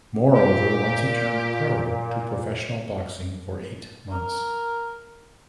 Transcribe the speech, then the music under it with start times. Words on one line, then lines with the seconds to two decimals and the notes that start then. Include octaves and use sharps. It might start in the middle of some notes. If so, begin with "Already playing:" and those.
Moreover once he turned pro to professional boxing for eight months.
0.35 A#2 G4
4.11 A#4